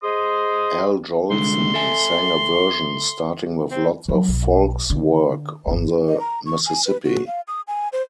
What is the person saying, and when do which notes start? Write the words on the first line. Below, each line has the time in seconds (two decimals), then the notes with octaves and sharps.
Al Jolson sang a version starting with lots of folks work on the Mississippi.
0.03 G#4 C5 D#5 C6 D#6
1.30 C2 D3 G#3 C6
1.74 A4 E5 G#5
3.71 C4
4.08 F3 F#3
4.28 B1
4.90 D3
5.67 G1 D#2
6.08 D#5
6.20 A#5
6.46 C#6
6.66 G#5
6.86 B4
7.04 F#4
7.27 F5
7.48 D#6
7.68 G#5
7.93 C5